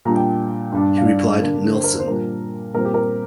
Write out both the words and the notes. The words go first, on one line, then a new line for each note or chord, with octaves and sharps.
He replied, "Nilsson".
A#2 G3 D4 A#5
G5
G2 G3 D4
F5
D5
D3 A#3 D4
C5
A#4
C5
A#2 G3 D4 A#4
A#2 G3 C4 A#4
G4
A#4